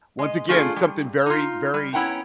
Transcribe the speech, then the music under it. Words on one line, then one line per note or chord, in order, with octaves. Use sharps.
once again, something very, very
G#3 D#5
A3 D4 F4 G#4 A4
G3
D#4 F4
G3
B3 C#4 E4 F#5 G5 A#5